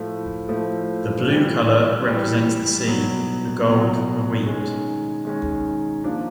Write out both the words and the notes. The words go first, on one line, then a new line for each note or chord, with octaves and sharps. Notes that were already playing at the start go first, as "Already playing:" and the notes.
The blue colour represents the sea, the gold the wheat.
Already playing: A2 F3 A3
A2 F3 A3
A2 E3 G3
A2 E3 G3
B2 F#3 B3
B2 F#3 B3
D#3 G#3 C#4
D#3 G#3 C#4
F3 A#3 D4